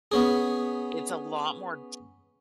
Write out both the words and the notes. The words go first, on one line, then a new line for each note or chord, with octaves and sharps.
It's a lot more
B3 C#4 G#4